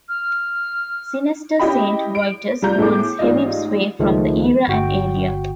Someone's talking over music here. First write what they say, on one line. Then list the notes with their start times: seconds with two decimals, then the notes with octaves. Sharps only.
Zinester Saint Vitus holds heavy sway from the era and area.
0.08 F6
1.59 C#4 E4 G4 D#5 G5 B5
2.15 D7
2.62 F1 G3 F4 A#5 G6
2.78 A2 B3 E4 G#4 A4 D6
3.19 A1 G#2 F4 D5 D#5
3.99 C#2 D#3 F3 G#3 A3
4.68 G1 F#4 G5